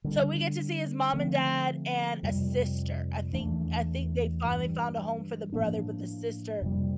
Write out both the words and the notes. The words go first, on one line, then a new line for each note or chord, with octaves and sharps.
so we get to see his mom and dad and a sister. I think I think they finally found a home for the brother, but the sister,
D3 G3 D4
D3 F3 A3 C4
F2 C3 G3
E2 E3 A3 D4
G2 E3 G3
A2 F3 A#3 D4
F2 C3 G3